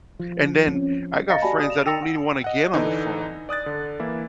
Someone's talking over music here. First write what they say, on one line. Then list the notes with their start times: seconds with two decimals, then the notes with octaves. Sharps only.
And then I got friends that don't even wanna get on the phone.
0.19 F3
0.67 C4 C#4
1.29 D#5 F5 A#5 A6 A#6 C#7
1.42 F#4 G4 D5 G#5 A5 B5
1.55 D5 D#6
1.70 E7 F7
1.86 G5 E6 A6 A#6 C#7 F7
2.03 F#5
2.44 D#5 F#5
2.74 D3 E3 D#4
3.49 D5 D#6 F#6 A6
3.66 D3
4.00 E3 A#3 E4